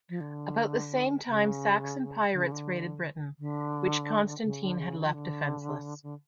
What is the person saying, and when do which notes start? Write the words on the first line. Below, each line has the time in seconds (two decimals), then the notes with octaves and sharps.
About the same time Saxon pirates raided Britain, which Constantine had left defenseless.
0.09 F3
0.21 D3
1.27 C#3
2.33 D3
2.42 C#3
2.52 D3
3.39 D3
4.44 C#3
4.62 D3
4.80 C#3
4.97 D3
5.05 F3
5.14 D3
6.03 D3